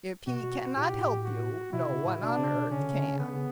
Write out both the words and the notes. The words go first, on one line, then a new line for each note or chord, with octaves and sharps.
If he cannot help you no one on earth can.'
B2 F#4
B2
A2 G4
B2
A2
F#4
B2 E4
C#3
A2
B2 D4
C#3
B2
C#3 C#4
D3
C#3
D3
C#3
D3 B3
C#3